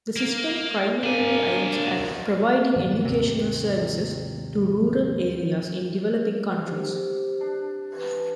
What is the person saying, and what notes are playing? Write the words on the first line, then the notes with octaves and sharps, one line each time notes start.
The system primarily aims at providing educational services to rural areas in developing countries.
A#3
A#3 D4 G#5
G2 D#3 F3 G3
D#2 G#2 C3
C3
D4
E3